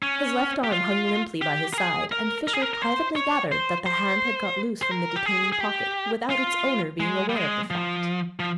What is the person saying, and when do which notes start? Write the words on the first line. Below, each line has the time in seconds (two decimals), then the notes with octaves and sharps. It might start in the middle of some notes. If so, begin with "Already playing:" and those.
His left arm hung limply by his side and Fisher privately gathered that the hand had got loose from the detaining pocket without its owner being aware of the fact.
0.02 C#4
0.64 G4
0.72 F4
1.42 G4
1.74 A#4
1.78 G#4
2.12 A#4
2.47 A#4
2.54 G#4
2.62 A#4
2.73 A#4
2.82 C5
3.16 C#5
3.52 C5
3.86 C5
4.82 C5
4.91 A#4
5.16 G4
5.26 G#4
5.52 G#4
5.60 G4
6.30 F4
7.00 G#3
7.29 G3
7.36 G#3
7.70 F3
8.40 F3